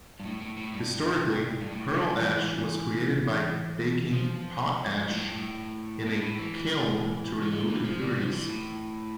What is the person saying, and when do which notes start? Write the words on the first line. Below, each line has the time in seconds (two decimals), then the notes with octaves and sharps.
Historically, pearl ash was created by baking potash in a kiln to remove impurities.
0.20 G2
0.25 A2
0.41 A2
0.57 A2
0.74 G2
1.61 G2
1.71 A2
1.94 G2
2.19 E3
4.13 F3
5.10 A2
5.23 G2
5.34 A2
6.06 A2
6.22 A2
6.39 E3
6.55 E3
7.42 E3
7.52 D3
7.68 E3
7.84 F3
8.01 G3
8.17 F3
8.32 E3
8.49 A2